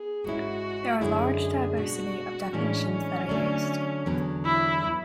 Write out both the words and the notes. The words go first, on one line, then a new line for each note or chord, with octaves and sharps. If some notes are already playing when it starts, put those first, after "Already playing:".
There are large diversity of definitions that are used.
Already playing: B3 G#4
G#2 G#3 C#4 E4 F#4
F#2 D3 G#3 C#4 E4 G#4
B2 G#3 D4 F#4
A2 E3 G#3 C#4 D4
C#4
D3 F#3 A3 D4
E2 D3 F#3 B3
E4
F#3 B3